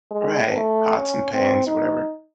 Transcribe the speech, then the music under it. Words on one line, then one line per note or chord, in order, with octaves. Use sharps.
Right, pots and pans or whatever.
G#3
A3
C#4
C4
D#4